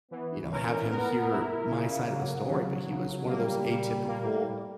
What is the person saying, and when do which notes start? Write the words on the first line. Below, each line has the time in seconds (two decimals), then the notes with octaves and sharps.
you know, have him hear my side of the story, but he was one of those atypical,
0.11 E3 B3
0.51 C#4 A#4
0.90 B3 A#4
1.31 E4
1.70 C#3 A#3
2.09 F#3
2.49 F#3
2.89 C#3
3.28 G3 A#3
3.68 A#2
4.08 A#3